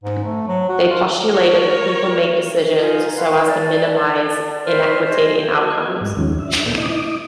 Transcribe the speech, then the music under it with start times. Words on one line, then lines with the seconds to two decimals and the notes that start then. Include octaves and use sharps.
They postulated that people make decisions so as to minimize inequity in outcomes.
0.04 G#2
0.24 A3
0.47 F#3
0.69 F#4
0.91 F4
1.33 A#4 C#5
2.79 D#4 F4 G#5
3.15 B4 F5 F#5 C6
3.45 D5 A5
4.65 B4 C5 D5 F6
5.08 G#4 C5 D#5
5.59 F#4 D#5 G#6
6.01 G#2 G3
6.17 D#2 D#3 F3 G#3 C#4
6.39 D4 E5
6.66 A#2 A#3 B3 A4 B4 G5
6.78 E4 D#5 D6 D#6